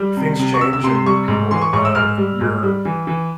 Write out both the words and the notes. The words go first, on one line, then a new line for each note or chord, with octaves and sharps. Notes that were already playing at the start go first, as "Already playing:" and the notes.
things change and people uh, your
Already playing: G3
C3
C3
C#6
C3 E6
E6
C3 C6
C6
G3 C#6
G#2
E3 C6
C#6
G#2 C#6
E6
G#2 F6
G3
G#2
G3
E3
E3